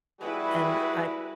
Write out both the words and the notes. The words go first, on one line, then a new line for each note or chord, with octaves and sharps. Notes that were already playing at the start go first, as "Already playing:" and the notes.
and I
G3 E4 F#4 G#4 B4